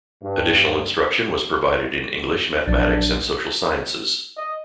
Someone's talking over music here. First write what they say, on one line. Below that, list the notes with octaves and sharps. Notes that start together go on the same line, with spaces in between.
Additional instruction was provided in English, mathematics, and social sciences.
G2
A#1 F#3 D4 A6
D#5